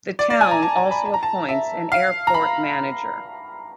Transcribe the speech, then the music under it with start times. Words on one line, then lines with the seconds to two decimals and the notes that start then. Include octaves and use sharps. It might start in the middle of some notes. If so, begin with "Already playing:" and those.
The town also appoints an Airport Manager.
0.19 D5
0.30 D5
0.41 G#5
0.51 A#5
0.62 A5
0.77 A#5
0.91 B5
1.05 A5
1.14 A#5
1.23 A5
1.49 E5
1.92 F5
2.27 A#5
2.34 B5